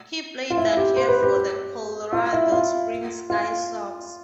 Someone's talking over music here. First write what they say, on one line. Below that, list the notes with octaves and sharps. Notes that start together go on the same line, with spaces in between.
He played that year for the Colorado Springs Sky Sox.
F4
E4
G4
C5
B4
G4
F4
E4
F4
F4